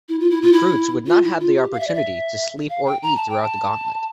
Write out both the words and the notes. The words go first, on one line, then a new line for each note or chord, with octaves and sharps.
Recruits would not have the opportunity to sleep or eat throughout the Gauntlet.
E4
F4
E4
F4
E4
F4
E4
F4
G4
F5
E5
D5
E5
F5
G5
A#5
A5
G5
A5